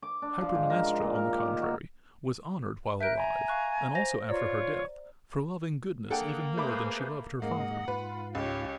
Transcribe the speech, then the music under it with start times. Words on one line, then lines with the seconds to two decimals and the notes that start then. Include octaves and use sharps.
Hypermnestra, on the contrary, was honored while alive, and also after her death, for loving goodness even more than she loved her father.
0.02 D6
0.22 D4
0.41 F3
0.55 G#2
0.70 A#4
0.86 C6
1.02 A#2
1.15 A#4
1.32 G4
1.46 D#3
1.62 F#4
3.01 A#4 E5 F#6 G6 D7
3.17 G#5 A#5
3.48 F5 C#6 F#6
3.95 C5 A#6 F7
4.29 F4 C#5 D5 A#5
6.10 A#3 D4 G#4 A4 F#5 G5
6.57 A3 G#4 B4 C5 B5 D6
7.42 G#2 G#3 A#3 D#5 F#5
7.88 G#2 F4 B4
8.35 C#2 G4 C#5